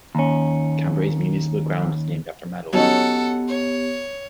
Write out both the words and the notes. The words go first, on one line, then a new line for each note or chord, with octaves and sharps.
Cambre's municipal ground is named after Mallo.
D#2 C#4
F#3 B3 C#4 D#4 G4 A4 F#5
C#5